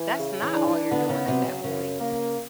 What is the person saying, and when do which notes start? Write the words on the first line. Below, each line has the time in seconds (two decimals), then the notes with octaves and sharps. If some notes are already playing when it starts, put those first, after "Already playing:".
That's not all you're doing at that point.
Already playing: E3
0.18 C#3
0.42 E3
0.54 D4
0.67 E3
0.91 D3 B3
1.09 C#3
1.28 C3 F#3
1.46 C#3
1.64 F#2 C#3
2.00 A#3